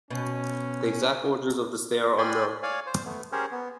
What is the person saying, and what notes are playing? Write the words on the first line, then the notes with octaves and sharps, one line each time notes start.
The exact origins of this day are unknown.
B2 C#4
D5 G5 G#5 B5 C6
C#5 D5 F5 G#5
C5
A3 B3
C#4 G4 G#4 A#4 C5 C#5
B3